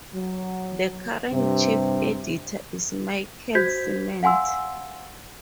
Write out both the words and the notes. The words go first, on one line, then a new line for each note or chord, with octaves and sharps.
The current chief editor is Michel Ciment.
F#3
G2 C3
F#4 C5 G6 G#6 B6
F5 F#5 G#5 C6 E6